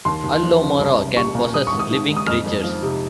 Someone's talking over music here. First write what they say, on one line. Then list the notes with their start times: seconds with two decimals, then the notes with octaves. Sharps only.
All loumara can possess living creatures.
0.05 D#2 C6
0.24 D#2
0.43 F3
0.62 C#3
0.79 C2
0.98 C2
1.17 G3 C#6
1.35 A#2
1.53 G3 D#6
1.67 C#6
1.72 G#1
1.79 D#6
1.91 D#3
2.09 G#2
2.16 D#6
2.27 F2 F6
2.46 F2
2.64 F3
2.83 C3